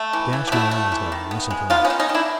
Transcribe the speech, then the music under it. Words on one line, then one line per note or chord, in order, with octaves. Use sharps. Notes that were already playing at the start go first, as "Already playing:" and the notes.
'Dash my eyes now; listen to that!
Already playing: A3
E3
E3
G4
A3 E4 F#4
A3
E3
D#3
B3
G#3
B3 D#4 F4
C#4 D#4
D#3
C#4 D#4
D#3
D4 E4